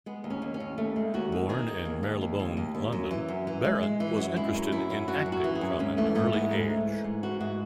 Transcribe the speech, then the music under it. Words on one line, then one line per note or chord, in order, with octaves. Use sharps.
Born in Marylebone, London, Barron was interested in acting from an early age.
G#3 B3
D#2
C#4
D#2
C#4
D#2
D#2 A3
G#3
D#2 F#4
D#2
D#3 G#4
D#3
D#2
D#2
D#2
D#2
D#2
D#2
F#2
E3
F#2
E3
G#3
G#3
E3
F#2
G#3 E4
F#2
F#2 E4
F#2
F#2 F#4
F#2
F#4
E3
G#4
F#2
G#2 C#4
E3 A3
G#2 A3
G#3 B3
G#2 A3
G#2
E3
G#2
E3 F#4
G#2 F#4